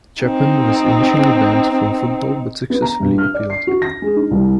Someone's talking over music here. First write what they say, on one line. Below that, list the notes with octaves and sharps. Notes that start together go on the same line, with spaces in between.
Chapman was initially banned from football but successfully appealed.
C4 D#4
B3
A#5
G2
F6
D5
C7
F#4
A#6
G#3
D#4
C2